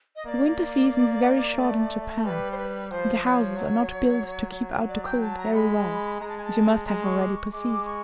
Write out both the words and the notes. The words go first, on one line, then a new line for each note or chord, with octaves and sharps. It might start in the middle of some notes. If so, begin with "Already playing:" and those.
The winter season is very short in Japan, and the houses are not built to keep out the cold very well, as you must have already perceived.
D#5
A#3 D5
A3
G3 B4
C5
B4
F3 C5
C#5
F#3
D5
G5
A5
A#5
G#3 B5
G#3 A#5
A5
G#5
A5
G#3 A#5
C#6
D6
C#6
G#3 D6
C#6